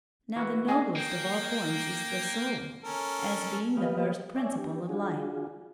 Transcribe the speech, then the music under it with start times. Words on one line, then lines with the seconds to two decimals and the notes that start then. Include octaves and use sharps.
Now the noblest of all forms is the soul, as being the first principle of life.
0.36 E3 F#4
0.68 A#3 G#4 D#5 G#5
0.96 A#3 G5
2.84 C#4 A4 A#4
3.77 F3 A#3 G4 B4 D#5 F5
4.36 C#5 D5 E5 G#5
4.58 D4 G4
4.89 D4 F4 F#4 G#4